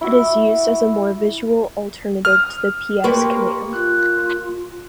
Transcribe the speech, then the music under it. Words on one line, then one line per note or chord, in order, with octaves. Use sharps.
It is used as a more visual alternative to the ps command.
E4 F#4
D#6 F6
A#3 G4 A#4 B4 D5 C6 C#6
F4 F#6